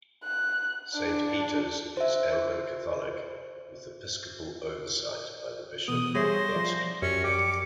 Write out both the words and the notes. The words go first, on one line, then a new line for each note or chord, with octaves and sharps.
Saint Peter's is Anglo-Catholic, with episcopal oversight by the Bishop of Ebbsfleet.
F#6
D4
C5 E5
B2 E3 B3 D#6
G3 G#4 C5 C#5 E5 A#6
F3 D5
F#2 C#4 G4 C#7
G4 D5 D6